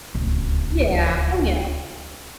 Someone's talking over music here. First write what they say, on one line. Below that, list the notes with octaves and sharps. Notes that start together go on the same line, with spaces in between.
Yeah. Oh yeah,
D1 C#2